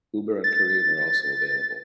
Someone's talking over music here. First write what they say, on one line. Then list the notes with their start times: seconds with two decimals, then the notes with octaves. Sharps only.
Uber and Careem are also available.
0.44 A6